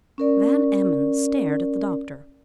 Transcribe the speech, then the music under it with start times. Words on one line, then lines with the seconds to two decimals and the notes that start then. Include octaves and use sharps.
Van Emmon stared at the doctor.
0.18 C#4 A#4 D5